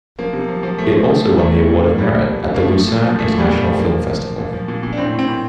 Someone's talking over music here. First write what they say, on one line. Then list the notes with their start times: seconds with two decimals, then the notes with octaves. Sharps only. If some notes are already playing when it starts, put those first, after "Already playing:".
It also won the Award of Merit at the Lucerne International Film Festival.
0.19 F3 A#3
0.33 C3
0.48 F3
0.63 F3
0.78 F3 A3
0.93 F3
1.09 F3
1.23 C3
1.38 A#2 A3
1.54 A#2
1.69 A#2
1.83 A#2
1.98 A#2 G3
2.13 F3
2.28 A#2
2.43 A#2
2.54 A#3
2.58 F3 A3
2.73 F3
2.88 A#2
3.03 F3
3.18 A#2 A3
3.33 A#2 G3
3.48 A#2
3.58 A3
3.63 F3
3.78 F3 A#3
3.93 F3
4.07 F3
4.23 F3
4.38 A#2
4.53 F3
4.68 A#2
4.83 A#2
4.93 D4
4.97 A2 C4
5.14 A2 C4
5.28 A2